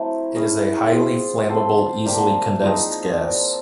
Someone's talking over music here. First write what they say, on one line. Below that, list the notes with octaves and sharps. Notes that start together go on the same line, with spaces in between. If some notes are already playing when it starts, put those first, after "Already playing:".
It is a highly flammable, easily condensed gas.
Already playing: F#3 A3 C4 E4
C#4 E4 G#4 C#5
C4 F4 G#4
C4 F4 A4 C5
A#3 D4 G4
F3 G#3 C4 D#4
C4 F4 A#4 D5